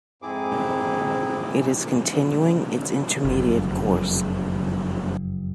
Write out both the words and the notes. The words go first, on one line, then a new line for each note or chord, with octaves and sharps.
It is continuing its intermediate course.
F2 G#2 C4 E4 G#4 D6
F#1 F2